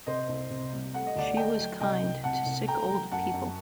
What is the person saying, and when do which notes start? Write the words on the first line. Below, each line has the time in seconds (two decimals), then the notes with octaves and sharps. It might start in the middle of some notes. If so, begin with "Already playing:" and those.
She was kind to sick old people.
0.07 C3 C5 D#5
0.29 C2
0.51 C3
0.73 G3
0.94 A3 F#5
1.07 D#5
1.16 D2 D5 F#5
1.37 A3 D#5 G5
1.60 F#3
1.80 C2 D#5 G5
2.03 C2
2.24 C3 F#5 A5
2.46 C2
2.68 A3 G5 A#5
2.89 F#3
3.12 F#2 F#5 A5
3.33 F#2